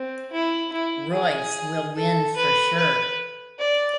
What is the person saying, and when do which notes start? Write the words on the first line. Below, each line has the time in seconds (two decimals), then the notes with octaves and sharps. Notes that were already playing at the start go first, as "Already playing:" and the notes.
Royce will win for sure.
Already playing: C4
0.32 E4
0.73 E4
1.14 G#4
1.95 A4
2.36 B4
2.77 B4
3.59 D5